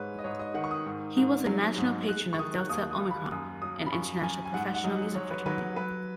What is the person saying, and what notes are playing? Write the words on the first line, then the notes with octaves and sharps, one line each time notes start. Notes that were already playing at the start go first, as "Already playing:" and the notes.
He was a National Patron of Delta Omicron, an international professional music fraternity.
Already playing: G#2 G#3 B4 C#5
D#5
G#2 C#5
D#5
D#3 F#5
C#6
D#6
G#2
G#2
F#3
G#2
G#3 F#6
C#6
D#3 D#6
F#6
D#2 D#6
D#6
D#2
B5
F#2 D#6
F#3 D#6
B5
F#2 C#6
F#2 G#5
G#5
G#2 F#5
F#5
F#3 D#5
F#3 C#5
B4
F#3 B4
F#3 B4